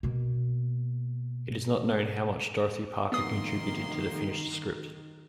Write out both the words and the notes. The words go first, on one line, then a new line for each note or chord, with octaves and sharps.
It is not known how much Dorothy Parker contributed to the finished script.
B2 A#3
F1 D#3 A#3 B3 C6 D#6